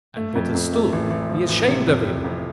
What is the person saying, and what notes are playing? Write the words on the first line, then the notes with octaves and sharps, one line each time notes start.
And better still: be ashamed of him!
A3
F2
F2
A3
A1
A1
F3
A1
C3
F2
C3
F2